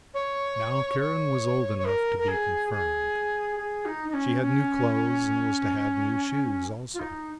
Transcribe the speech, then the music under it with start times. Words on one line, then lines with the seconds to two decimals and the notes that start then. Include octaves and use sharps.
Now Karen was old enough to be confirmed; she had new clothes and was to have new shoes also.
0.14 C#5
1.00 C#5
1.78 C#5
1.85 A#4
2.18 A#4
2.28 G#4
2.71 G#4
3.56 G#4
3.85 D#4
4.09 D#4
4.13 C#4
4.42 C#4
6.94 F4
6.99 D#4